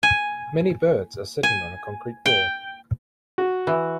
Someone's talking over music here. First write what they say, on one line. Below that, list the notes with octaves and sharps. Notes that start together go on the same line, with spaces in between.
Many birds are sitting on a concrete wall.
G#5
G#5
G5
F#4
E3